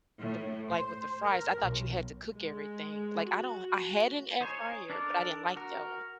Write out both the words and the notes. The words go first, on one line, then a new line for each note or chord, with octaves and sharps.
the like, with the fries. I thought you had to cook everything, like, I don't I had an air fryer, but I didn't like that one.
A2
C5
A#4
B1
G#3
F#4
D#4 C5 C#5 G#5
D4 A4 A#4 D5
F#4 A#4